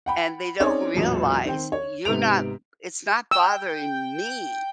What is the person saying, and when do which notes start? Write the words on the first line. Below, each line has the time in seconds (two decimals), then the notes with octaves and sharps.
and they don't realize you're not "It's not bothering me"
0.06 F#5 G5 B5
0.60 C4 C#4 D#4 G#4 C#5 D5
0.95 E1 A1 A#2 F#3
1.45 D#3 C4 G5
1.72 C#5
2.05 G#2 C3 B3 D7 F7
3.31 G5 E6